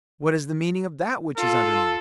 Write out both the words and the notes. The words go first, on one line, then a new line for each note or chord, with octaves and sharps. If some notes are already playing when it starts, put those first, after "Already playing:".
What is the meaning of that which is underneath?
F4 A4